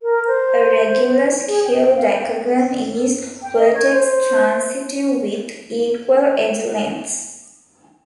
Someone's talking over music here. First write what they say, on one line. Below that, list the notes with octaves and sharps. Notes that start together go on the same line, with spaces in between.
A regular skew decagon is vertex-transitive with equal edge lengths.
A#4
C5
G#4
G5
G5
F5
G5
G5
D#5
C#5
C5